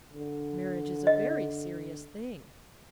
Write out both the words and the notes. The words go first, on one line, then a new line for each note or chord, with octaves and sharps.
"Marriage is a very serious thing."
D3
D#5